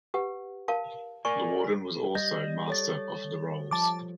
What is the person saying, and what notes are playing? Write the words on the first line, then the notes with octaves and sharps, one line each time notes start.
The warden was also Master of the Rolls.
G4 B4 F#5
A#4 F5 A5
A#4 D5 G#5 C#6
G3 D#5 G6 A#6
A4 C#5 A6
F3 A5 D6